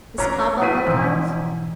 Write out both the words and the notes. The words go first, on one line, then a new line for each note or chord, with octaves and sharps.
Is papa alive?'
E3 C#4 D4 F4 C#5 A#5
F#3 A3 E4 G#4 B6 D#7
G#2 B2 E3 F3